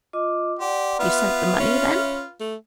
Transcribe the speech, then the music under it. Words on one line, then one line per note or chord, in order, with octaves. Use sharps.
"You sent the money, then?"
F4 D#5 D6
G4 D5 F#5 C6
B3 F4 B4 E5
C#4
A3